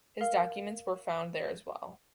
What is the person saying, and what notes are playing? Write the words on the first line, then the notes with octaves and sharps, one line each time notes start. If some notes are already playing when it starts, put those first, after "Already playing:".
His documents were found there as well.
A#4 F5